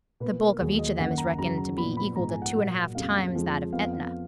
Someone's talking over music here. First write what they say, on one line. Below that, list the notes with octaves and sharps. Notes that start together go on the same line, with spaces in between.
The bulk of each of them is reckoned to be equal to two and a half times that of Etna.
B2 A#3 B4
A#4
D#2 D#3 F#3 G#4
D#5
F#2 D#3 A#3 F#5
A#5
F#2 C#3 F#3 A#5
A#5
A#2 F3 B3 B5
B5
G#2 F3 G#3 B3 A#5
G#5
F#5
A#2 F#3 A#3
F2 C#3 F#3 A#3 F5
F2 F3 G#3
F2 F3 B3 F5
F5